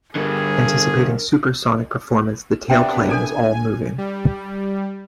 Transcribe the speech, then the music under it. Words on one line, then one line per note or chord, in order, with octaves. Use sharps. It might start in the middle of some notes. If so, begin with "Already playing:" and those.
Anticipating supersonic performance, the tailplane was all-moving.
G2 D3 G#4 A#4
C3 B3 D4 E5 G5
D4 A4 A#4 G#5
G3